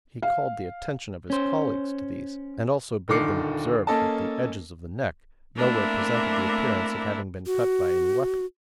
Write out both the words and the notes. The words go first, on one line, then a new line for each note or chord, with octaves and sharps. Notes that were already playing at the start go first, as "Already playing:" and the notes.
He called the attention of his colleagues to these, and also bade them observe that the edges of the neck nowhere presented the appearance of having been cut by any weapon.
F5
C#4 C5
D#1 D3 D#3 D6 C7 C#7
A#3 C#4 A4 D#5 A5
A3 A#3 C4 D4 E4 A#4
F#4